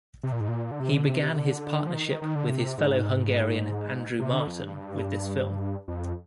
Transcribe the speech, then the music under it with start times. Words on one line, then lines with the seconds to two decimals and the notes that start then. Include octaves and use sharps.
He began his partnership with his fellow Hungarian Andrew Marton with this film.
0.23 C3
0.32 A#2
0.40 G#2
0.48 A#2
0.71 D3
0.80 C3
0.94 D3
1.08 C3
1.23 C3
1.37 D3
1.87 F3
1.93 D#3
2.07 D#3
2.22 D#3
2.35 D3
2.49 C3
2.78 G#2
4.20 C3
4.33 D3
4.48 F2
4.62 G2
5.88 F2